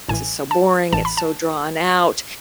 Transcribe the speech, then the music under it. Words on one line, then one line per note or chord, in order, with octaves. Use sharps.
is so boring, it's so drawn out."
A1 A2 E3 G#5
A5
A1 A2 E3 A5
B5
A5